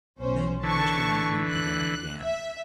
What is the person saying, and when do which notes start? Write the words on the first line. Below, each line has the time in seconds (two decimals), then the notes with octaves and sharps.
Then Mr. Knightley began again.
0.22 B1 C#4 C5
0.63 D3 E3 A5 C#6
1.49 F#6
2.21 E5